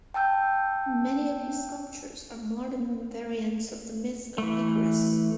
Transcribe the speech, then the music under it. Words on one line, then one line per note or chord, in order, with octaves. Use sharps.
Many of his sculptures are modern variants of the myth of Icarus.
G5 A5 E6 G6
E3 A3